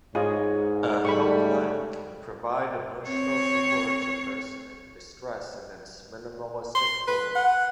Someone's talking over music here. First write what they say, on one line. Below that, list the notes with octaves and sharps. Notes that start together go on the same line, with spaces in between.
A helpline can provide emotional support to person in distress in its minimalistic form.
G#2 F4 G#4 C#5 D#5
G3 A3 B5 C#6
C4 C#5
C6
B4
F#5